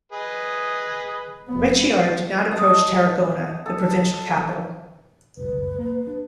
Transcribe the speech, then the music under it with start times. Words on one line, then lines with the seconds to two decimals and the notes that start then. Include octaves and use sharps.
Rechiar did not approach Tarragona, the provincial capital.
0.12 G#4 B4 D#5
1.48 F1 B3
2.51 D#5 A5
3.66 A4
5.37 F1 C2 B4
5.52 F#1 C#2
5.79 A#3
6.07 D4